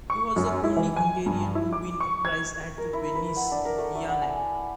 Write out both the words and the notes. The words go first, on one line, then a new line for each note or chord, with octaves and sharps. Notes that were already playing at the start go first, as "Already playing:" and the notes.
He was the only Hungarian to win a prize at the Venice Biennale.
C#6
F#2
E4
E3
G#5
G2
E4
D6
C#6
G#6
C#6
A#4
E4
B4
F#5
D4
A#4
A3
A3
F#5
G#5